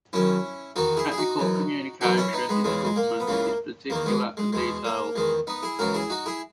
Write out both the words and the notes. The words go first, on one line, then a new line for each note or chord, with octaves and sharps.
Technical communication in the government is particular and detailed.
F#2 D#3 C#4 E4
E2 D#3 D#4 F#4
E4 G#4
G#4
D#4 F#4
F#2 E3
F#2 E3 D#4 F#4
C#4 E4
B3 D#4
G#3 B3
E2 C#3 E3 G#3
G#3
A#3
B3
C#2 C#3 E3 A#3
E2 D#3 A#3
G#3 B3
G#3
E2 B2 G#3
A#3
E2 D#3 G#3
B3 D#4
E4 G#4
C#2 C#3 E3 F#4 A#4
E4 G#4
D#4 F#4
E4 G#4